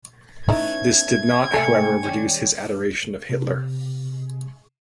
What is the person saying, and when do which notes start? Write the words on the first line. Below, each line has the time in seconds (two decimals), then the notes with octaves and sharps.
This did not, however, reduce his adoration of Hitler.
0.49 A3 B3 C#4 D#4 E4 E5 G#6
1.53 A2 C3 A3 A4 E5 G#5 C#7
2.03 D#3 G3 C#4
3.29 C3